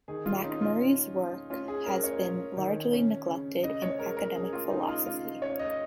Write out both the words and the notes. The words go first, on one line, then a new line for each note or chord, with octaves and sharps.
Macmurray' s work has been largely neglected in academic philosophy.
D#3 G#4
F4
C#4 D#4
F4
C#4
C#4
C#4 F4
G#4
C#4 A#4
C#5
C#4
D#3
C#4
C#3
C#3 D#5
C#5
G#3 A#4
A#4
C#3 G#4
F4
C#3 D#4
F4
C#3 F4
C#4 C#5
D#5